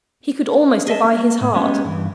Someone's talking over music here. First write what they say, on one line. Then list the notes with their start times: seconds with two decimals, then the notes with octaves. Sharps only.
He could almost defy his heart.
0.87 G#4 D#5 E5 A5
1.04 A#3
1.41 A2
1.54 G#3 B3 C#4 D#4 G4
1.85 G2 E3